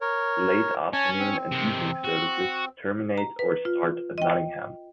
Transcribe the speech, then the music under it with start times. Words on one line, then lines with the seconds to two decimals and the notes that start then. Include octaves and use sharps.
Late afternoon and evening services terminate or start at Nottingham.
0.01 A#4 C#5
0.93 C#4 C#5 G#5 A5
1.19 C4
1.52 C3 D#3
2.04 F#4
3.18 A#5
3.39 B4
3.65 F4
4.18 D#5 G5